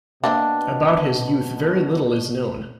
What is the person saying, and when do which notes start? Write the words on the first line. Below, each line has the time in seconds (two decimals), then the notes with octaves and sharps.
About his youth very little is known.
0.24 B2 A#3 C4 D4 E5 A5